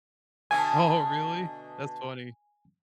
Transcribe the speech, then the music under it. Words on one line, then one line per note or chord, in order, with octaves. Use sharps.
Oh, really? That's funny.
B2 D3 A3 G#5